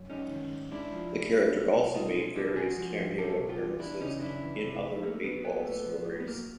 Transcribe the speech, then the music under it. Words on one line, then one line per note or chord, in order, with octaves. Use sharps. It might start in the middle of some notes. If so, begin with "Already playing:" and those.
The character also made various cameo appearances in other "Eightball" stories.
Already playing: F#2
G#3 C#4 D#4
D#3
G#2
G#3 D4 E4
F3
G#2
A#3
F#3
B2
B2 D#4 F4
G#3
B2 D4 E4
G#3 F#4 G#4
F3
G#2
F#3 G4 A4
B2
F4 G4
E2
E3 D4 E4
C#3 C#4 D#4
F#2 D4 E4
E3
C3
F2
A3 A#3
F#3 B3
A#2 B3
A3
F3
A2
B3
F#3 A#3